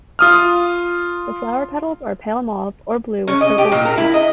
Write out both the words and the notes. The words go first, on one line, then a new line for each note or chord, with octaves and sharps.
The flower petals are pale mauve or blue with purple veins.
F4 D#6 F6
C#4
D#5
G4
A#2
A#4
E4
D#5